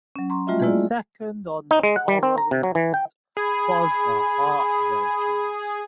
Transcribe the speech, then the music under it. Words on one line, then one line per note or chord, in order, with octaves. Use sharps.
The second on the following night was the Heartbreakers.
F#3 C#4
A#5 C6 C#6
G3 A3 F4 F#4 D#5 E5
G#3 A#3 E4 F4 G#4 D5
D#4
G#3
F#5
G3
C4
A#5
C3
F#3
E3
G5
G#4 B5